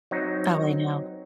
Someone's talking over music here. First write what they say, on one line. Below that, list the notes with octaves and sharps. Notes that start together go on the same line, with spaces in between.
Oh, I know,
F#3 C4 D#4